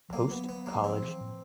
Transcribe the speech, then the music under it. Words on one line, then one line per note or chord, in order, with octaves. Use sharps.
Post College.
F3
F#3 A#3
B3
B3
A#3
F3 C4
E3
A2